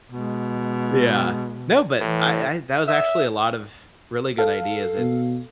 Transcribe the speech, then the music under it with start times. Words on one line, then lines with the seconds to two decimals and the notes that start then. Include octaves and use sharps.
yeah. No, but I I that was actually a lot of really good ideas. It's
0.12 B2 G#3
2.00 A2 E3
2.88 E5
4.38 A4 F5
4.98 B2